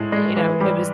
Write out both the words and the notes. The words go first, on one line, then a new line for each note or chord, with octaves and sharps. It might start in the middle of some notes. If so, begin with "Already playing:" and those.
you know, it was
Already playing: A2 G#3
G#3
E3
G3